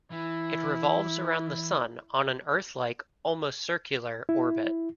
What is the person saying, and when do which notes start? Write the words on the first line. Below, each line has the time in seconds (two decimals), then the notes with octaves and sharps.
It revolves around the Sun on an Earth-like, almost circular, orbit.
0.11 E3 E4
4.29 E4